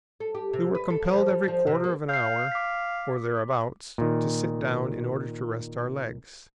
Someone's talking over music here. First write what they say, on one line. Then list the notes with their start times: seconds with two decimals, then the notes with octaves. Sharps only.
We were compelled every quarter of an hour or thereabouts to sit down in order to rest our legs.
0.20 A4
0.35 G4
0.53 C3
0.75 B4
0.90 A4
1.05 F3
1.30 G3
1.48 F3
1.67 C3
1.84 A#3
2.09 F5 G6 C7
2.52 D6 B6
3.98 A#2 D#3